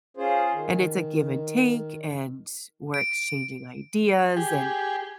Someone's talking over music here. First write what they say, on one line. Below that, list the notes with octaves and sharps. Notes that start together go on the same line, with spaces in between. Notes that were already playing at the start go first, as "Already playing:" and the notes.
and it's a give and take, and we're exchanging ideas, and,
C#4 F4 G#4 C5
D#3
D7
G4 G#4